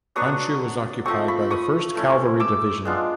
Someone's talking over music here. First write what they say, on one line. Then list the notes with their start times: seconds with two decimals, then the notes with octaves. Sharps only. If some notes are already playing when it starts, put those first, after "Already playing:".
Honshu was occupied by the First Cavalry Division.
0.16 F#3 B3 D4 C#6 D#6
1.05 F3 A3 C4 C#6 D#6
1.28 B5 C#6
1.50 C#6 D#6
1.95 A3 C#4 E4
2.40 D6 E6
2.85 G#3 B3 D4 F4